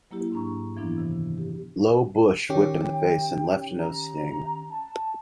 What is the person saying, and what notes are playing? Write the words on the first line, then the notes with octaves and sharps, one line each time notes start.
Low bush whipped him in the face and left no sting.
F#3 A#3 E4 G4
G#2 D4 A#5 C#6
F#2 E3 F3 B3 D4 E4
C3 D#3 E3
G4
D#3 C#4 G4
G5
A#5
A5